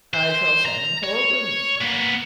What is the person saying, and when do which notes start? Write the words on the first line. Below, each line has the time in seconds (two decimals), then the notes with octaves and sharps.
"I shall send for a policeman."
0.14 C5
0.66 A#5
1.03 C#5
1.81 A#3 B3